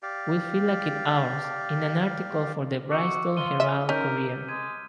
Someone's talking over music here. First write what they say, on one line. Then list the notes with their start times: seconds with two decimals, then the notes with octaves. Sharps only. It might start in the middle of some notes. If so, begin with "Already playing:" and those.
We feel like it ours, in an article for the Bristol Herald Courier.
0.03 G4 D5 F5
2.91 F#4 D6 E6 C#7
3.37 F4 D#7 G7
3.60 E5 F6
3.89 C#4 D#4 A#4 G6 B6 D#7
4.48 G#3 G#6 D#7